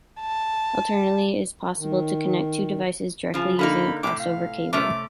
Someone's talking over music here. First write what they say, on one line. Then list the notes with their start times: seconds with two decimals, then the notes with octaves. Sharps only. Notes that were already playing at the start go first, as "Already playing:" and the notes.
Alternatively it is possible to connect two devices directly using a crossover cable.
0.21 A5
1.76 D#3
3.34 C#3 F3
3.59 D3 A#3 D#4 B5
4.03 A2 C3 D6
4.19 F5
4.73 C3 A3 C#4 D6